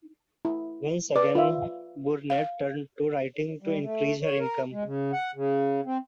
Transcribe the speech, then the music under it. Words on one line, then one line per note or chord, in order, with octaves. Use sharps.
Once again Burnett turned to writing to increase her income.
E4
B4 D5
F4 E5
F5
G3
A3
C#5
A#4
G#3
C#3
F#5
C#3
C4